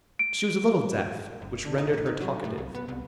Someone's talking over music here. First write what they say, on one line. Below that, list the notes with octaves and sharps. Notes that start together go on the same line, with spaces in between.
She was a little deaf, which rendered her talkative.
D7
F#1
D3
D#4
A1
D#4
F#3
A2
C2
B3
C2